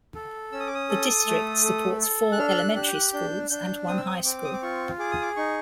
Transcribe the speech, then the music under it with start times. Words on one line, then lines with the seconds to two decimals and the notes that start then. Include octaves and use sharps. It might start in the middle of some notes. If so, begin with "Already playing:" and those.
The District supports four elementary schools and one high school.
0.15 A4
0.52 C#4 E6
0.60 D#6
0.67 D6
0.75 D#6
0.90 A4
1.27 A3
1.65 A4
2.01 A4
2.32 F#6
2.39 D4 F6
2.50 F6
2.58 F#6
2.75 G4 F#6
2.88 G6
2.94 F#6
3.13 D4 G6
3.50 D4 G6
3.88 C4 D#6
3.97 E6
4.06 D#6
4.25 C4 D6
4.44 D#6
4.53 D6
4.62 F4 C#6
4.99 G#4 D6
5.11 D#6
5.22 D6
5.37 D#4 C#6